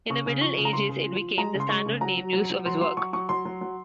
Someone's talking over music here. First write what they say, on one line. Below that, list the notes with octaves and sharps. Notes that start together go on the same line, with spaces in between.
In the Middle Ages it became the standard name used of his work.
C#3 C#6
C#3
F3 C#6
C#3
A#5
C#3 C6
C#3
F3
F3
G#3 A#5
C#3
C6
G#3 C#6
C#3
F#3 A#5
F#3
F#3
F#3
F#3 C6
F#3 C6
F#3 C#6
F#3 C#6
F#3 C6
F#3
F#3